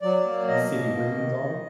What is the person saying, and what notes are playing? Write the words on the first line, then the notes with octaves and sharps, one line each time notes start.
See any rings on him?
F#3 D5
A#3
B2 D#5
B2
A#3
D#3
D#3